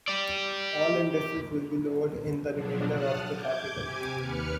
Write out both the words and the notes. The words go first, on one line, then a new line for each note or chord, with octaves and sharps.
All indices will be lowered in the remainder of this article.
G4 D5
B2 F3 F#3 D4
F#5 A5 D#6 F6 F#6
D6 G6 G#6
C3 G4 G#5 D6 G#6
D#2 B4 F6 C#7